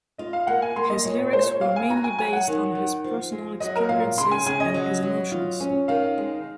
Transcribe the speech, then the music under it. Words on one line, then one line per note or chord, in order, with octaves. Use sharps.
His lyrics were mainly based on his personal experiences and his emotions.
F4 D#5
F5
A#3 F#5
G#5
A#3 C6
D#5
A#2 C#5
C#5
G#3 C5
C#5
C4 F5
G#5
F#4 A#5
G#5
F#3 G#5
F#5
D#3
D#3
F3
G#3
F#3 D#5
A#4
A#2 F5
C#3 C6
G#5
C#3 G#5
D#5
F#3
F#3
F4
C#4
D#3 F5
G#3